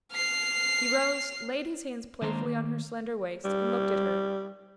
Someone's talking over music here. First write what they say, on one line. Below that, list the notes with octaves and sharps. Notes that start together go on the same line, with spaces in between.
He rose, laid his hands playfully on her slender waist, and looked at her.
F6 C7
D#3 G#3 A#3 D4 C5 A#5
D#3 A#3
G3